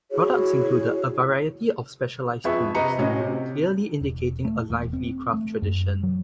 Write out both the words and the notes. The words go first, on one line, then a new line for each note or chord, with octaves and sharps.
Products included a variety of specialised tools, clearly indicating a lively craft tradition.
E4 F#4 G#4 C#5
F2 G#4 B4 E5 C#6
C3 B4 D#5 A#5 C#7
A2 C#4 F#4 D#5
C3
E1
A3
E1
C4
A3
F#2
F#3